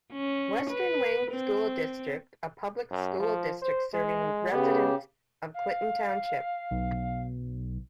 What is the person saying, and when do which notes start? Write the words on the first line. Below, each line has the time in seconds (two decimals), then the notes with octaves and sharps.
Western Wayne School District a public school district serving residents of Clinton Township.
0.13 C#4
0.70 B4
1.31 C4
2.90 F#2
3.20 F3
3.62 C5
3.93 G#3
4.52 C#3 B3 G4
5.54 F5
6.71 B1